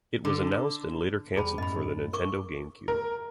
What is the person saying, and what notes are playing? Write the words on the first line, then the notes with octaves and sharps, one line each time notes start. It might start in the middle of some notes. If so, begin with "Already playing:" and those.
It was announced and later canceled for the Nintendo GameCube.
D3
E2 C3 G3 G#4 A5 B5
F#2 A2 D#5 B5
A#4 C#6 D6
A#4